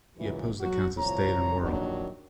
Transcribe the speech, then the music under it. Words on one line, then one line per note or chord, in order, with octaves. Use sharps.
He opposed the counts of Stade and Werl.
C#2 F#2 E3
F#3 F#4
C2 F3 C#5 A#5
A#1 D#2 D#3 F#3 D4